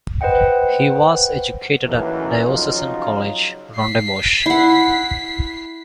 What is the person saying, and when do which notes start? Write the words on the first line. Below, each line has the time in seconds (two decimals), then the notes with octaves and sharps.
He was educated at Diocesan College, Rondebosch.
0.21 B4 C5 D#5 F#5 G5
1.87 A1 D#2 E3 F#3 C#4 A4
2.46 C#3 F3 F#3 D#4 F4
3.75 B6 C7
4.46 E4 F#5